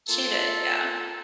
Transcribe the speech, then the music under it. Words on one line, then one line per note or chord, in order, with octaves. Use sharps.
She did, yeah.
A#3 F4 A4